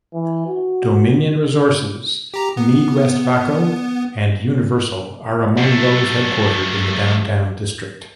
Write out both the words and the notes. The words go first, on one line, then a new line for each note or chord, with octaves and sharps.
Dominion Resources, MeadWestvaco, and Universal are among those headquartered in the downtown district.
E3
F#4
G4 A#5
B3
F#2 A3